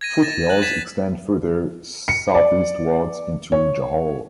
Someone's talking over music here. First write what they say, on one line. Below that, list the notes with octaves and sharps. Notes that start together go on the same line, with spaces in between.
Foothills extend further southeastwards into Johor.
G#6 A#6 D#7
A6 A#6 E7
F#6 F#7
G#6 A6 B6 E7
C#7
D5
C#5